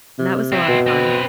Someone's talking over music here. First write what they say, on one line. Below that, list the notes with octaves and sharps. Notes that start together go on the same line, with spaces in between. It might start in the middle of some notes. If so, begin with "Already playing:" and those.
and that was a lot of fun.
C3
C4 E4
B2
C4 B4